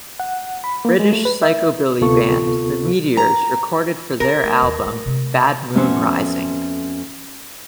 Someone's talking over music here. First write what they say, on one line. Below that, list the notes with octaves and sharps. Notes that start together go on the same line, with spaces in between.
British Psychobilly band The Meteors recorded for their album "Bad Moon Rising".
F#5
B5
A#3
G#3
A3
B4
E5
D2 C3 B3 F4 A4 C#6
A#5
E3 A#4
A3
D#2 D#3
A3
C3 A3
F2 A3 B3 C#4 F#4 C5